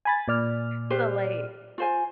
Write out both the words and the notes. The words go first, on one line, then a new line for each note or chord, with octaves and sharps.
So, like
G#5 B5 A6
A#2 D5 F6
G4 B4 C5
F4 C5 G#5